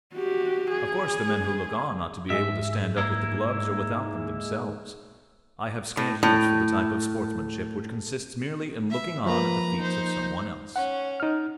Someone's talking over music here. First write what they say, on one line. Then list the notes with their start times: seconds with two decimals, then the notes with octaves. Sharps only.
Of course the men who look on ought to be able to stand up with the gloves, or without them, themselves; I have scant use for the type of sportsmanship which consists merely in looking on at the feats of some one else.
0.14 F#4 G4
0.71 G#4
2.30 G#2 G#3 E5
2.97 A#3 E4
5.97 A2
6.23 A2
8.90 E5
9.26 F3 A#3 B4 A#5
9.79 D#4 C5
10.76 C#4 F#5
11.20 D#4 F6